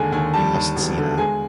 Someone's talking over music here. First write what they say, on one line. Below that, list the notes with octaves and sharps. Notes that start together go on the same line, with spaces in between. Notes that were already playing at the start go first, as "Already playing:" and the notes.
You must see that?
Already playing: D#2 D3 G#3 G#5
D#2 G#5
G3 A5
D#2
E1
D3
G#3 G#5